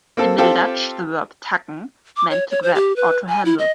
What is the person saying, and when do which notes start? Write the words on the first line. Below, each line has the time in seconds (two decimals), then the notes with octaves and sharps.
In Middle Dutch, the verb "tacken" meant to grab or to handle.
0.17 A#3 C4 A4
0.38 C4 F4 G4 A4
2.17 D6
2.30 C#5
2.51 C#5
2.63 C5
2.75 G4
2.96 B4
3.29 G#5
3.45 E4
3.59 D#5